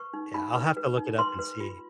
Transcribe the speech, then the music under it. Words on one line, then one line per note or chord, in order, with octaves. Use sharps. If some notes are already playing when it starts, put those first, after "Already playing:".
Yeah, I'll have to look it up and see.
Already playing: B4 C#6
D#4
D#4 B5
B4
B4
D#4
B4 C6
B4
F4